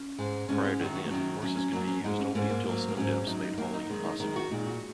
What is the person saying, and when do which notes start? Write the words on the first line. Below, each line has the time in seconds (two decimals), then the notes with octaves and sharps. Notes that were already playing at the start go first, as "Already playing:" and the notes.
Prior to then, horses could be used only until snow depths made hauling impossible.
Already playing: C#4
0.18 G#2 G#3
0.49 G#2 G#3 C#4
0.61 D#4
0.65 C#4
0.80 F#2 D#3 F#3 F#4
0.95 F#4
1.06 A#3
1.10 F#2 D#3 F#3 C#4
1.42 F#2 F#3 C#4
1.57 C#4
1.72 F#2 F#3 A#3
1.88 C#4
2.04 G#2 G#3 D#4
2.20 C#4
2.35 G#2 G#3 A#3
2.42 C#4
2.49 A#3
2.65 G#2 F#3
2.89 A#3
2.96 G#2 F#3 C#4
3.22 C#4
3.27 F#2 F#3 D#4
3.43 D#4
3.58 F#2 F#3 A#3
3.74 D#4
3.90 F#2 D#3 G#3
4.05 D#4
4.20 F#2 D#3 G#3 D#4
4.36 F#4
4.51 A#2 G#3 D#4
4.66 F#4